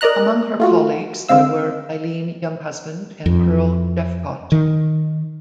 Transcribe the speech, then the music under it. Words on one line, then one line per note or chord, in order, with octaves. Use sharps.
Among her colleagues there were Eileen Younghusband and Pearl Jephcott.
A#4 D5 D#5 A#5 F#6
A3 F4 F#4
D3 G#3 C4 F5 E6
F2
D#3